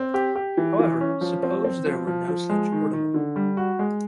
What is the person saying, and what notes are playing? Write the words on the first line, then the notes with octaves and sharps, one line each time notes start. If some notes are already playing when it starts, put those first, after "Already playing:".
However, suppose there were no such ordinal.
Already playing: C4
G4
G4
E3
E3
C#4
F3
C4
C4
F3
F3
F3
G#3
D#3
D#3
D3
G3
F#4
G#3